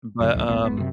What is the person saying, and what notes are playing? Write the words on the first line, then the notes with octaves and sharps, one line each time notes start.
But, um,
F#2 A2 C#3
D#1 C#2 A2 F3
D1 G#1 A#2 B3
F#1 B3
F#2 C3